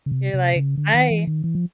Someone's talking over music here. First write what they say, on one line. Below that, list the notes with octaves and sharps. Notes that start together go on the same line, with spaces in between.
You're like, "I
C#3
C3
C3
C#3
D3
D#3
E3
D#3
E3
F3